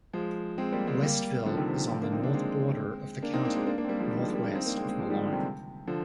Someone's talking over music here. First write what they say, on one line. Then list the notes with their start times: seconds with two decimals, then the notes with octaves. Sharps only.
Westville is on the north border of the county, northwest of Malone.
0.13 F3 G#3
0.58 G#3 C4
0.72 G3 A#3
0.87 G#3 C4
1.02 G3 A#3
1.46 D3 F3
1.57 C3 D#3
1.68 C3
1.90 D3 F3
2.01 A#3 D4
2.12 C4 D#4
2.23 A#3 D4
2.34 G#3 C4
3.23 A#3 D4
3.34 C4 D#4
3.45 A#3 D4
3.56 G#3 C4
3.67 A#3 D4
3.78 A#3 D4
3.84 C4
3.88 G3 A#3
4.00 F3 G#3
4.11 D#3 G3
4.22 F3 G#3
4.33 G3 A#3
4.44 A#3 D4
4.55 C4 D#4
4.66 A#3 D4
4.77 G#3 C4
4.88 G#3 C4
4.99 F3 G#3
5.10 D#3 G3
5.22 D3
5.32 C3 D#3
5.87 D3 F3